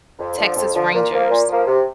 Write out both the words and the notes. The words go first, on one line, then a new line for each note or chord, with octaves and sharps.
Texas Rangers
F2
D3 F3
F2
D3 F3
A#2
F3 A#3
A#2
F3 A#3
C3